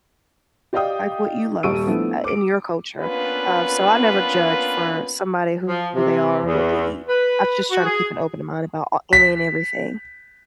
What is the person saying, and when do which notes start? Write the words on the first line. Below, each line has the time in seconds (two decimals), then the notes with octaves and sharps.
like, what you love, uh, in your culture, um, so I never judge for somebody who they are or what they eat, I just try to keep an open mind about any and everything.
0.73 G4 D5 D#5 F5 G5 D#6
1.63 D#1 G3 C#6 E6 D7 D#7
1.87 F3 A3 B3 D4 E4
2.24 D6 D7
3.00 A#3 B3 C#4 D4 F4 B4
5.68 F3
5.95 C3
6.45 E2
7.08 B4
7.71 F#4
7.84 G#4
9.13 B6